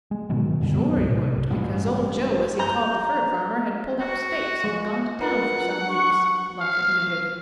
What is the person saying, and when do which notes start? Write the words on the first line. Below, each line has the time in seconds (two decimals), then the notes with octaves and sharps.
"Sure he would, because Old Joe, as he called the fur farmer, had pulled up stakes and gone to town for some weeks," Bluff admitted.
0.11 G#3
0.29 G#2 B2 D#3 F#3
0.61 F#2 B2 D3 G3
0.76 F#3 G#3 B3 C4
0.97 C2
1.09 A2 C3
1.50 A1 G2 G3 G#3
2.59 A#5 G6
4.00 F#4
4.64 G#3
5.21 F4 A#4 B4 F#5
5.67 D4
5.89 C#6
6.61 F5